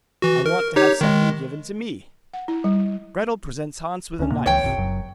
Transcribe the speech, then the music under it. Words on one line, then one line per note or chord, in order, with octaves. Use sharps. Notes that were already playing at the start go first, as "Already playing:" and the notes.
I want to have something given to me.' Gretel presents Hans with a knife.
E3 F#4
A#4
D#4 G4 C#5
D#3 G#3
F#5
E4
G3
D2 C#4
A2 C3 A#3
C#2 E3 C#5 G5
G1 C2 C3
F#1 F#2 F#3